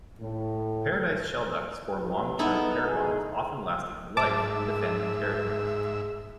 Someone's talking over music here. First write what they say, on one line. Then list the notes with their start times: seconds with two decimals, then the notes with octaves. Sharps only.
Paradise shelducks form long-term pair bonds, often lasting for life, and defend territories.
0.21 A2
1.99 A1
2.39 B3 D#4 E4 A4
2.85 B2 G#4
4.17 G#2 G#4 E5 A5 D6